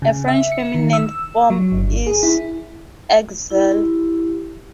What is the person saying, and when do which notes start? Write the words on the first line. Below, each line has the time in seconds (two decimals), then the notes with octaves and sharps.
A French feminine form is Axelle.
0.02 C#3
0.28 E5
0.52 C#7
0.74 D#3
0.93 E6
1.50 F#3
1.72 G1
2.07 G#4
2.23 E4
3.50 E4 G4